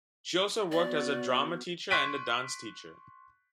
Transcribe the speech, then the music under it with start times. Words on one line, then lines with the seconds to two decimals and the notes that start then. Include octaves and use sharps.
She also worked as a drama teacher and a dance teacher.
0.72 B3 F#4 D5
1.90 C6 C#6 F#6 B6 D7 D#7